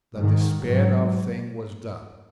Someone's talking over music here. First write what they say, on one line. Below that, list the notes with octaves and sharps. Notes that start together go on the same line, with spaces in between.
The despaired-of thing was done.
G#2 D#3
G#2 F#3